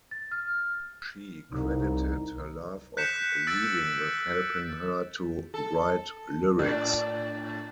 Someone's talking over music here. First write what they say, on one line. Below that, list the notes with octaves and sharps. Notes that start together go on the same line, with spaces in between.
She credited her love of reading with helping her to write lyrics.
A6
F6
C2 D#4
F#6 G6 B6 C#7 E7
E6 A6 D7
A4
A2 D4